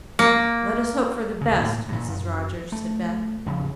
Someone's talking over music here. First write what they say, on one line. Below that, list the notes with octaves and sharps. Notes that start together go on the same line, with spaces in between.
"Let us hope for the best, Mrs. Rogers," said Beth.
A#3
D#2 C#3
A2 A#3
G2 A#2
F#2
A3
E2 C#3 F3